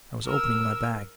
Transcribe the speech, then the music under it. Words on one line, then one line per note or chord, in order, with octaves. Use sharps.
I was opening my bag.
A#4 E6